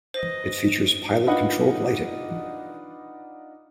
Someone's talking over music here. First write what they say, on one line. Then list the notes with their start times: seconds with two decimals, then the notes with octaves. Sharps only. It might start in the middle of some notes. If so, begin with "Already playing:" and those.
It features pilot-controlled lighting.
0.14 B4 C5 D#5
1.26 D4 D#4 F4 B4 D#5 F#5